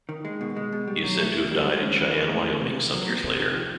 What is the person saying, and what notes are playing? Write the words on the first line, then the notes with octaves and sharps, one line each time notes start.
He is said to have died in Cheyenne, Wyoming some years later.
D#3
G#3
B2
G#3
B2
G3
F#3
A3
E3
G3
G#3
C#4
E3
G#3
A2
E3
C3
D#3
F#3
B3
C3
D#3
F3